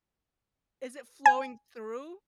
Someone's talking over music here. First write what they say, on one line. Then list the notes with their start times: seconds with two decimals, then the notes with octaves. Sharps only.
is it flowing through?
1.26 G#5